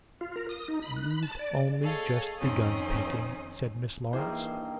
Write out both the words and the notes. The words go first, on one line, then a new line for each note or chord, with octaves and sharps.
'You've only just begun painting,' said Miss Laurence.
F4
A#4
D#6
D#4
B5
F#6
B5
A5
D5
G#4 A4 C#5 D#5 F5
F2 D#3 C4 C#4 D#6
G2 D#3 E3 A#3 G#4 C5